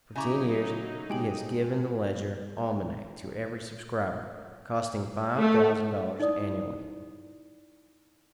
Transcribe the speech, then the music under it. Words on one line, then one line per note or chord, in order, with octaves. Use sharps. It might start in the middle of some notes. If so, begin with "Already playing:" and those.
For ten years he has given the "Ledger Almanac" to every subscriber, costing five thousand dollars annually.
C#3 F#3 D#4 E4 G#5 A#5 C#6 D6
G#3 G4 G5 F#7
A3
D#4 E4 D5 D#6